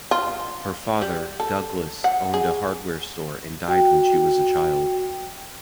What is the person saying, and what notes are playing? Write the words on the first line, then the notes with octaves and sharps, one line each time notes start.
Her father, Douglas, owned a hardware store and died when she was a child.
F4
G3
A4
F#5
G#4
F#4 G5